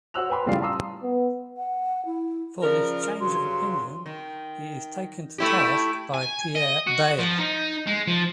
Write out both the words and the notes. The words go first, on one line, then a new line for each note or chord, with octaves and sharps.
For this change of opinion he is taken to task by Pierre Bayle.
F#4 C5 C#5 E6 F#6 F7
B4 G5 G#5 B5 C6
A2 C#3 G3 F4 F5 C7
F5 A5 A#5 C6 D#6 E6
B3
F#5
E4
C#3 F3 A#4 D5
G2 C#3 F#3 C6
D#3
A3 E4 G4
G#5
D#5
F#4
F3
D#4
G#3
F3